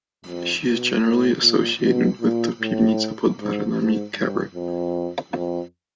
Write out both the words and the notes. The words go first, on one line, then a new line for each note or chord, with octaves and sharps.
She is generally associated with the Piwnica pod Baranami cabaret.
F2
B2
A2
A#2
B2
A#2
A2
G#2
G#2
G2
F2
F2